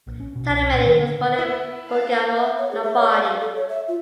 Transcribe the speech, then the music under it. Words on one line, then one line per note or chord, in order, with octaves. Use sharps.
Taramelli was born in Bergamo, Lombardy.
A#1
C#4
B2
C2
A#2
D#3
D3
E4 B4
F5 A5
E5
C#5
G#4
E5
C#5
D5
F5
A4
C#5
E5
F4